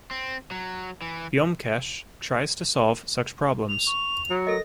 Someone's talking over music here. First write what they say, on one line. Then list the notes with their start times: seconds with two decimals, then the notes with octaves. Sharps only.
Byomkesh tries to solve such problems.
0.11 C4
0.51 F#3
1.02 E3
3.69 F7
3.87 C#6
4.30 F#3 A#5
4.47 A4 A#4 D#5 A#6